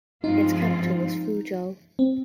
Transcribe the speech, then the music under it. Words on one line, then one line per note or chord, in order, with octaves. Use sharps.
Its capital was Fuzhou.
G2 F3 G#3 C4 D#4 F4
C4